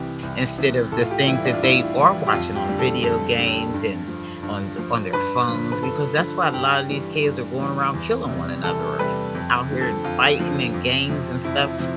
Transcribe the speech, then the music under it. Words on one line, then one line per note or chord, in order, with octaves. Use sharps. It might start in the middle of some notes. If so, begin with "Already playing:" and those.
instead of the things that they are watching on video games, and on the on their phones because that's why a lotta these kids are going around killing one another or f out here and fighting in gangs and stuff,
Already playing: C2 C3 E3 G4
C2
C3 E3
A2 A4
F4
G4
E3 G3 E4
D4
F4
A2 E4
E3 G3
G4
F2 F4
G4
D3 G3
A4
F2 A4
D3 G3
G2
F3
G2
F3
G2 B4
D3 F3
B4
G2 A4
D3 F3
G2 G4
E3 G3
G2
E3 G3
E2
C3 G3
E2 A4
C3 G3 B4
F2
D3 F3
A4
F2 F4
D3 F3
F2
C3 F3
F2 E4
C3 F3